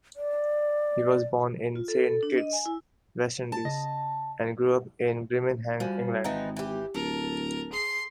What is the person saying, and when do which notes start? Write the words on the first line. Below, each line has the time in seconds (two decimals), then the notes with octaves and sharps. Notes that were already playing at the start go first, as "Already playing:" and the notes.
He was born in Saint Kitts, West Indies, and grew up in Birmingham, England.
0.16 D5
1.76 F4
1.88 A4
2.04 A4
2.23 D4
2.38 D#5
2.53 G#5
2.66 E4
3.52 A5
3.65 C#3 D#5 A#6
5.80 F3 G3 F#4 G#5
6.24 G#1 E3 F3 D#4 G5
6.56 E3 G4
6.94 D1 A4 A#4
7.73 G#4 C6 C7